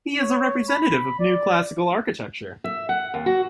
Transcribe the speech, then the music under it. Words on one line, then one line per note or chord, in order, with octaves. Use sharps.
He is a representative of New Classical Architecture.
C#5
B5
D5
E5
F#5
D#2
F#4